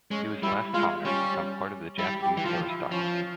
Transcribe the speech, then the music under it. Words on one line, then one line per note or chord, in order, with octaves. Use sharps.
He was the last commoner to become part of the Japanese aristocracy.
G#3 C#4
G3 E4
G#3 F4
G3 C#4
G3 E4
G4
E3
F3 F4
E4
F3 C#4